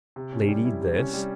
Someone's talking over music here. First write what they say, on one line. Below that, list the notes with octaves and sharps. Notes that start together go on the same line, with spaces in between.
Lady this.
C3
C#4
G3
E4
C3
C#4
G3